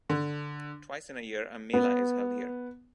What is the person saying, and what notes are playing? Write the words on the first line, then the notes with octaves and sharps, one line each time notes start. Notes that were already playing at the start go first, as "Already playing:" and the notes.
Twice in a year a mela is held here.
D3
B3